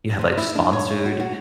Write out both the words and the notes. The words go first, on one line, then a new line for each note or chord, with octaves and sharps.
you have, like, sponsored,
C3
E4
D4
C#5
F#4
F#4